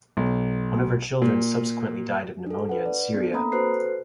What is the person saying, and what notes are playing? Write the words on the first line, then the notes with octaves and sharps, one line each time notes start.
One of her children subsequently died of pneumonia in Syria.
B1
A#2
D4 A4
B4 F#5
D5
B3 D4 A4
A#3 C4 A#5 B5 D#6
F#4 A4 B4 C5 F#6 C7